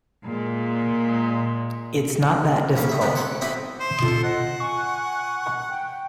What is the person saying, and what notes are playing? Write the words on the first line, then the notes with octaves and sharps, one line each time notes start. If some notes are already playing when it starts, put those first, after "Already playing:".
It's not that difficult.
A#2 G#3
C#3 G3 A#3
D#4 E5
F3 B3 D4 G4
A4 C5 C#5 F#5 G5
C4 D#4 E4 F#4 G4 B4
C5 C6
F4 A4
D#5 F#5
G#5 C#6
G5